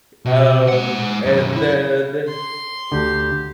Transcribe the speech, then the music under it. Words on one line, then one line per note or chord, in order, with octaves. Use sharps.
Um, and then
B2
G#3 F#5
B1 F#2
E4
C6
D2 D3 G4